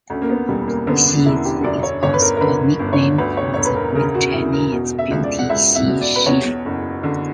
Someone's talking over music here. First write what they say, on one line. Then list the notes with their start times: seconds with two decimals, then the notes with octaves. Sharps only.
Xizi is also a nickname for the great Chinese beauty Xi Shi.
0.10 D2 C#4
0.22 A#3
0.29 B3
0.48 E1 G3
0.68 A#3
0.87 D3 B3
1.06 D4
1.25 E1 E4
1.45 G4
1.64 F#2 D5
1.83 C#5
2.03 G1 C#5
2.14 B4
2.22 A#4
2.37 A#4
2.41 D3 B4
2.79 G1
2.93 C#5
3.18 D2 B4
3.37 C#5
3.54 E1 C#5
3.65 B4
3.76 A#4
3.95 C#3 A#4
4.15 F#4
4.34 E1 E4
4.53 A#4
4.72 B2
4.98 E5
5.11 C#2
5.23 D5
5.39 F#5
5.49 C#2 E5
5.75 E5
5.88 B2
6.01 D5
6.16 B4
6.26 E2 C#5
6.65 F#1
7.03 D3